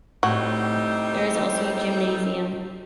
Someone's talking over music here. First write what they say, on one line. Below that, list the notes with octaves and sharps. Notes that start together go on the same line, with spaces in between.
There is also a gymnasium.
A2 G3 C4 D#4 F#4